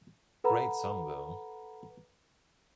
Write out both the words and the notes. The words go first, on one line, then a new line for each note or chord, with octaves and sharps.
Great song, though.
A4 B4 F#5 A#5 B5